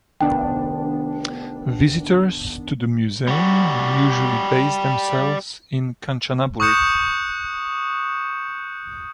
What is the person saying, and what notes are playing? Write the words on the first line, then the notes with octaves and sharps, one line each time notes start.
Visitors to the museum usually base themselves in Kanchanaburi.
F1 D#3 B3 D4 G5
G3 F#4
C#6 D#6 F#6 G6 C#7 E7